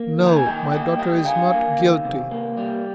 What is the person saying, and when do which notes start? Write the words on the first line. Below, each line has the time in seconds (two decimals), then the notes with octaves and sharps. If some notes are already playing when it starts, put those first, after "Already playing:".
No, my daughter is not guilty.
Already playing: A#3
0.19 D#3
0.27 A#5
0.36 G#5
0.45 A#2 D#5 G5
0.72 A#3 D#5 G5
0.98 G3 D#5 G5
1.25 G2 F5 G#5
1.52 A#3
1.79 D#3
2.05 C3
2.31 A#3
2.57 G3